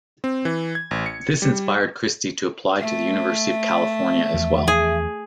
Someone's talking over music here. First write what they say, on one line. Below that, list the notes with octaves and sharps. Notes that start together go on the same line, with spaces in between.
This inspired Christy to apply to the University of California as well.
C4
E3
G#6
A1
C#7
G3
A3 E5
E2 F3
G#4